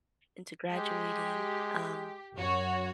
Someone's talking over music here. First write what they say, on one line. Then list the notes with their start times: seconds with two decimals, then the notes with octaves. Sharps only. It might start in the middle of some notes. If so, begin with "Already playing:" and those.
into graduating, um
0.71 G#3 G4
2.35 F#2 F#4 C#5